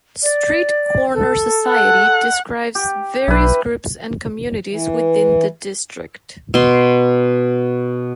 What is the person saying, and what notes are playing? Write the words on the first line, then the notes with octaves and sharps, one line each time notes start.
"Street Corner Society" describes various groups and communities within the district.
D5
A4
F#5
G4
B1 E4 B4
E3
B2 C6